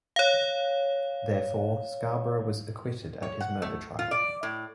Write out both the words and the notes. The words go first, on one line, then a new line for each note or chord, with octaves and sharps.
Therefore, Scarborough was acquitted at his murder trial.
C#5 F5
C#5
F#5
A3
F4
D5
A2